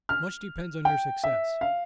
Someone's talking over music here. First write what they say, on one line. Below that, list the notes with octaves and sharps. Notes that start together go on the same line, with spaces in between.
Much depends on your success.
F6
G5
E5
F5